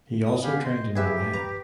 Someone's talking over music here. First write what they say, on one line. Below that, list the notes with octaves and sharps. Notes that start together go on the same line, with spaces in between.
He also trained in Milan.
D#6
B3 G4 F5 G#5
C5 D#5 C6
C#3 F#3 G4 G#4 B4 E5
B4 A#5